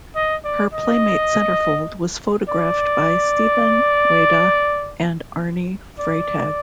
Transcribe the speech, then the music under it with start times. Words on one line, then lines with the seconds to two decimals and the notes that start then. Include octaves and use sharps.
Her Playmate centerfold was photographed by Stephen Wayda and Arny Freytag.
0.16 D#5
0.44 D5
0.73 D#5
2.49 D5
6.00 D5